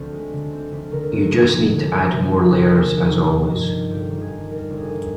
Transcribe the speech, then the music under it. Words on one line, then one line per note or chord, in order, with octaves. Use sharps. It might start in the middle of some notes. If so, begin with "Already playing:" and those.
You just need to add more layers as always.
Already playing: D2 C4 C5 D5
G#3
D3
C4
D2
D3 A#4
D#2
F1
F1
D3
D#2
F1 C5
F1
A#4
D3
D#2 G#4
F1
F1
D#3
G2
G3
G1 G4
D#3
G#4
G2
G3 A#4
G1
G#4
D#3